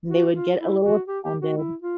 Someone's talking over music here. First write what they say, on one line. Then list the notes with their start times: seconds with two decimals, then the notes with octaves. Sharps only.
And they would get a little offended.
0.09 F#4
0.34 F4
0.59 E4
0.83 F#4
1.08 G4
1.24 G4
1.41 F#4
1.57 E4
1.82 F4